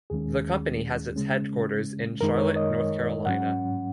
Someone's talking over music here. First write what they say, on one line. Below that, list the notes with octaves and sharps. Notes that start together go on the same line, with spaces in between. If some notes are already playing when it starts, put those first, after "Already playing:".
The company has its headquarters in Charlotte, North Carolina.
D#2 D#3 G#3 C#4 G#4
C#3 G#3 C#4
F#2 D#3 G#3 D#4 A#4
C#5
D#5
G#2 F#3 C#4 F#5